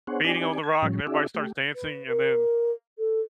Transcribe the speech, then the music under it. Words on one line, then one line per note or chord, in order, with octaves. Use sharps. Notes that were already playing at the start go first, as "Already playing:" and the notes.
beating on the rock and everybody starts dancing and then
B3 D4 G#4 C5 C#5 F#5
C4 D#4 G4 D5 G#5
G#6
A2 F3 G3 C#4
C#4 D#4 F#4 G#4 D5 E5
A3 G4
B4
A#4
A4